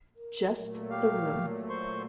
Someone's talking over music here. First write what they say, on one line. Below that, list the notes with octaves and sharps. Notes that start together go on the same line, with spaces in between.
Just the room.
A#4
A#2 F#3 A3
G4 F5
C5 C6 C#6